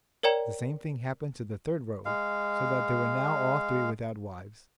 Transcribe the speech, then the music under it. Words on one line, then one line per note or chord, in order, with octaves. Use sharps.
The same thing happened to the third rogue, so that they were now all three without wives.
A#4 C#5 D5 G5 A#5
G#3 F5